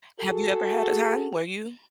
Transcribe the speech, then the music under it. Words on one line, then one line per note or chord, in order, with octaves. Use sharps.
Have you ever had a time where you
F#4 G#4 A4